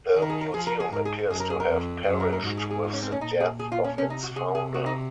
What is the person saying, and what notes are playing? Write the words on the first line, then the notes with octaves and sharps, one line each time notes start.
The museum appears to have perished with the death of its founder.
D#3 G#4
A#4
G#4
A#4
F3 G#4
A#4
G#4
G#2 A#4
G#4
F#2 G#4
A#4
G#4
A#4
F2
F#2 G#4
A#4
A#4
G#2 F#4
G#4
G#4
F4
C#4
C4
C#4
A#2 D#4
G#4
G#4
F4
C#4
C3 C#4
D#4
F#4
C3 G#4
G#4
F#4
D#4